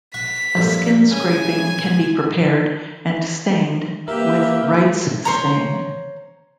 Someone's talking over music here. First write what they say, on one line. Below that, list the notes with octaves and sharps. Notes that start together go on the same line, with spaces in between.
A skin scraping can be prepared, and stained with Wright's stain.
F#5 C#6 B6
A#1 G2 A4
C#3 G#5
C6
A#3 G4 A#4 B4 E5
C5 C#5 A#5